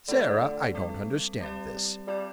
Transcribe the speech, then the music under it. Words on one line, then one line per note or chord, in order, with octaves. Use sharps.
Sarah, I don't understand this.
D3 A3 D4 F4 A4 D5
G3 C4 A4
G3 C4 G4 D5
G3 C4 F4 D5